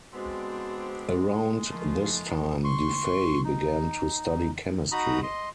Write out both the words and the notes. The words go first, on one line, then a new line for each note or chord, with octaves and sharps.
Around this time du Fay began to study chemistry.
G#3 B3 C4 D4 F#4
F3 A3 A#3 F4
C6 C#6
D#4
D#4 F#4 A#5 B5 D#6
D#5 C6